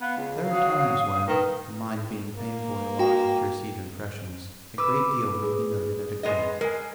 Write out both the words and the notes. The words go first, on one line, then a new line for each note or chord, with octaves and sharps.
There are times when, the mind being painfully alive to receive impressions, a great deal may be noted at a glance.
B3 F5
C#2
F#3 D#6
D#3 B4
A#3
F#4 G5
B4 D6 E6
G#4
G#3 B3 D#5
G#3 A#4 G#5